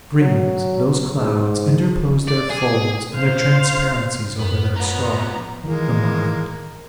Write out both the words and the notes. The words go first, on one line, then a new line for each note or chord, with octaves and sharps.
Dreams, those clouds, interpose their folds and their transparencies over that star, the mind.
F#3
G#2
D5
G#4
C5 F5
F#2 B3
F3 B3 C#4 A#5
D#3 E3 G#3 A#3